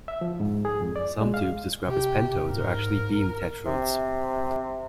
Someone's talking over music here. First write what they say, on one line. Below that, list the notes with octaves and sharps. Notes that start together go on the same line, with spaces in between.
Some tubes described as pentodes are actually beam tetrodes.
E5
F3
G#2
G#4
F2
D5
G#3
F5
C3 G4
G#2 A#4
C3